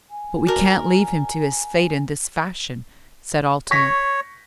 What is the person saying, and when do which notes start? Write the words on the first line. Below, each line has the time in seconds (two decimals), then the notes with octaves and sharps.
"But we can't leave him to his fate, in this fashion," said Altamont.
0.10 G#5
0.47 F#4 A#4 D5 A5
3.71 C#5 C#6 A#6 B6